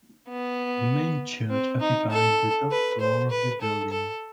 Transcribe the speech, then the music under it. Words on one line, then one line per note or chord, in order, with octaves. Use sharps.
The main church occupies the top floor of the building.
B3
C4
D#4
A4
B4
C5
B4
A4
A4